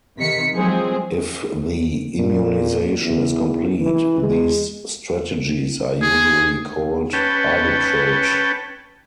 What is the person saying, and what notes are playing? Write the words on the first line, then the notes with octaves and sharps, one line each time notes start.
If the immunization is complete, these strategies are usually called arbitrage.
C3 D#3 B6 C#7
F3 F#3 G#3 C4 G#4
A#2
E2
E3
G#3
G#4
C#4 B4 G5 A5